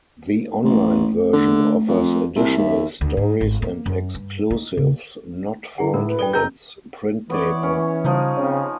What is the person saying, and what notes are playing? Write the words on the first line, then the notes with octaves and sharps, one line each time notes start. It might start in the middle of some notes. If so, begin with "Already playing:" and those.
The online version offers additional stories and exclusives not found in its print paper.
A1 A3
D3
F2
C2 E5
D#2
D2
G#2
G#1
A#3
F#2
G2
D#4
C#3
D3 E4 G#4 F#5
A2 A#4
B4
A4 D5 G5 G7
F#1 G#4 A#4 A5 A#5 G6
E3 B3 C#5 D5
C#4
C#3 F3 G3 D#4 G#5
C#3 C4 C#5